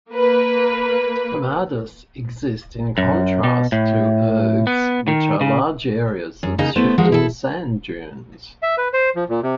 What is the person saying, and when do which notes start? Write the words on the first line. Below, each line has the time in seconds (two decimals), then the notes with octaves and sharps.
Hamadas exist in contrast to "ergs", which are large areas of shifting sand dunes.
0.11 A#3 B4
2.98 F#2
3.44 B2
3.72 A2
4.67 B3
5.08 D#3
5.41 C#3
6.43 F#2
6.58 C#3 A#3 D#4
6.76 A3 B3 E4 C5
6.98 F3 G#3 F#4 A#4
7.12 E4 A4
8.63 E5
8.78 B4
8.93 C5
9.16 F3
9.29 A#2
9.43 C3